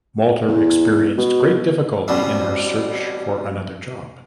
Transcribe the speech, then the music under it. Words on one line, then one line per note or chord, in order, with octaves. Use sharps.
Walter experienced great difficulty in her search for another job.
E2
B2
A1 B2 G3 C4